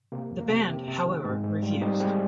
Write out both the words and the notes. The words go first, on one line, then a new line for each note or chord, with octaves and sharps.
The band, however, refused.
C3 A#3
F2
A#3
C3
C3
C3
D#3
G#2 G#3 C4
G#2
G3
F4
G3 C4 D#4
G3 G#3 C4